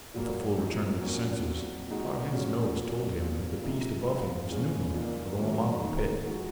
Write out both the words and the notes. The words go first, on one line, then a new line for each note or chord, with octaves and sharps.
With the full return of his senses Tarzan's nose told him that the beast above him was Numa of the Wamabo pit.
A#2 F#3 A#3
F3 C4 D#4
F3 A#3 C#4 F#4
A#2 F#3 C4
A#2 G#3 D#4 F#4
F3 G#3 C#4 F#4
A#2 F#3 C#4
A#2 F3 C4 F4
C3 F3 G#3 D#4
G#2 F3 C4 F4
F3 G#3 C#4 F4
A#2 F#3 A#3 D#4 F#4
F#2 D#3 F#3 A#3
D#3 A#3 D#4
F3 G#3 D#4 F#4